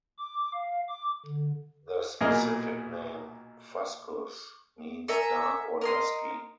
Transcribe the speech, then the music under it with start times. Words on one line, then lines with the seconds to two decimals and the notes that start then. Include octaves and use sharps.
The specific name "fuscus" means dark or dusky.
0.18 D6
0.54 F5
0.88 D6
1.26 D3
2.21 B1 A#2 E3 G#4 A#4 D#5
5.08 A4 A#4 E5 G#5
5.81 A#4 D#5 C6